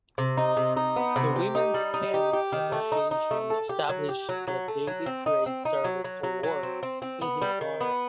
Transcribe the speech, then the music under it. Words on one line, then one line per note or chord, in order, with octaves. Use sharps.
The Women’s Tennis Association established the David Gray Service Award in his honor.
C3
D#4
C3
D#4
B3
C3
G4
D#4
G3
D#4
G4
G4
D#3
A3
D#4
D#4
A3
A4
G4
F#3
G4
F#3
F#3
A3
F#3
C4
D#4
C4
D#4
F#3
F#3
F#3
F#3
C4
C4
C4
B3
G3
D#3
B3